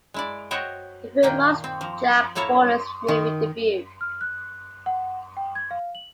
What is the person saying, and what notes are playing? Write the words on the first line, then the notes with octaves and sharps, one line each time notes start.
The film marks Jack Warden's movie debut.
G#3 E4 D5
F#4 C5 C#5 D#5 E5 G5
A#2 D#3 A#3 G5
C4
F3 A#5
A2 A#3 E4 A4 C#5 A#5
D#3
F6
F#6
F#5
G5
G#6
F5
F#7